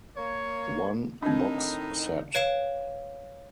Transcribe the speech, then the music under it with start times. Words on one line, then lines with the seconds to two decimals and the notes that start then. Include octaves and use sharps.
One box set.
0.16 A#3 C#5
1.23 A2 D#3 C4 D4 D#4
2.35 B4 C#5 F5 D7 E7